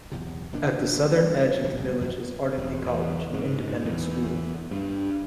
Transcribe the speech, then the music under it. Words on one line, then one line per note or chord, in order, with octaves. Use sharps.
At the southern edge of the village is Ardingly College, an independent school.
B1 E2 C3
F1 F2 A#3 D4
G3
A#1 B2 D3
F#1 C2 F2
F2 B3
E1
E2
G#2
E2
G2